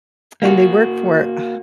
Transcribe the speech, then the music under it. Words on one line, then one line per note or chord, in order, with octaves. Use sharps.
and they work for, ugh,
A#3 F#4